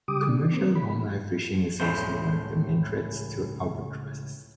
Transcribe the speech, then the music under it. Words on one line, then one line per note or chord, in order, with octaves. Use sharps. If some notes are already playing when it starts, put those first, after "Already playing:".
Commercial longline fishing is also one of the main threats to albatrosses.
C#3 G3 G4 D6 D#6
D4
A#3 C4
B5
C#2 A2 C#3 A3 C5